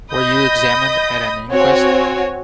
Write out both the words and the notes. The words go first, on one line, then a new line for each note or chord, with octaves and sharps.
Were you examined at an inquest?
D#5 B5 D#6 G6 A#6
C4 F#4 C#5 G#5